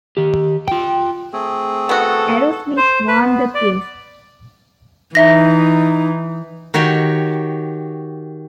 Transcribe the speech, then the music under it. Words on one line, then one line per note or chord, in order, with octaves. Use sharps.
Aerosmith won the case.
D#3 G4
F4 G5
A3 C4 G#4
B3 F#4 A4
C5
B4
B3
D5
E3 D#4 E5 A#6
D#3 F#4 G4 C#5